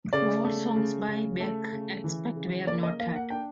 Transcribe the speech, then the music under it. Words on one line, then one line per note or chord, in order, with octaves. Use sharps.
All songs by Beck, except where noted.
C#3 D5
A3
C#3
C#3
A3
C#3
E3
C#3
A#3 D5
D#5
A#3 F5
F#5
D4 G5